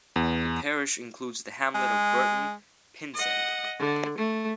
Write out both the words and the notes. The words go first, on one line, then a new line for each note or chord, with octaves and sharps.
The parish includes the hamlet of Burton Pynsent.
E2
G#3
D#5 F#5
D3
A3